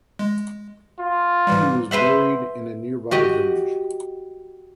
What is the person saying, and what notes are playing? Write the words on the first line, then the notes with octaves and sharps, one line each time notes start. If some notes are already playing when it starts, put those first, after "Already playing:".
He was buried in a nearby village.
G#3
F4
G#2 E3 G3
B4 C5 E5 F#5
F#4 G4 D#5